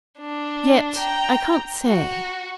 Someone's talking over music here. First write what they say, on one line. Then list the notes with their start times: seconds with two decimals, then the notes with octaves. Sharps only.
Yet, I can't say.
0.19 D4
0.98 G5 A#5
1.88 F#4